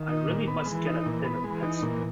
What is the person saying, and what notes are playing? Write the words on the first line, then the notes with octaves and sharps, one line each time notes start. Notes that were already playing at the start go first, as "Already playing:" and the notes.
I really must get a thinner pencil.
Already playing: D#3
D#4
A#2
B3
E3 G#3
D#4
A#2
B3
E3 G#3
D#4
A#2